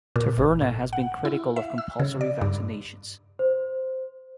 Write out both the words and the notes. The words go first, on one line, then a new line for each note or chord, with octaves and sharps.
Taverna has been critical of compulsory vaccinations.
A#2
G#1
A2
F#5
E4
E5
E6
C#3
D5
G2
C5